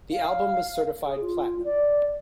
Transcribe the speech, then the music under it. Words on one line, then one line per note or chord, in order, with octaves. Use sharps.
The album was certified platinum.
F5
G#4
F4
D5